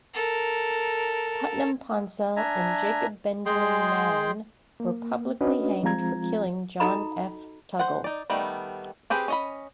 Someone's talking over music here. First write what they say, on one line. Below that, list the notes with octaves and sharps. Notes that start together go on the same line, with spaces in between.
Putnam Ponsell and Jacob Benjamin Marin were publicly hanged for killing John F. Tuggle.
A4 A#4
D4 E5 G#5 A#5
G#3 G#4 G5 C6
A#3
C#4 D4 F#4 B4 D#5
F3 G#3 C4 F4 A#5 G#6
D#4 F#4 A4 D#5 A#5 B5
C5 F#5
D#4 D5
D#3 G3 A3 B3
C4 G4 G#4 B4
C#4 D#5 B5